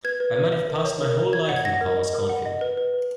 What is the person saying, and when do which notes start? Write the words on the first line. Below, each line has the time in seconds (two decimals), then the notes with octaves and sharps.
I might have passed my whole life in the farmer's cornfield.
0.04 B4 G#6
0.20 B4
0.36 B4
0.53 E5
0.69 A#4
0.85 C#5
1.01 A#4
1.17 A#4
1.33 C#5 G#6
1.49 F#5
1.56 G#6
1.65 F#5 A#6
1.81 A#4
1.97 D#5
2.13 A#4
2.29 F#5
2.45 D#5
2.61 B4
2.78 B4
2.94 B4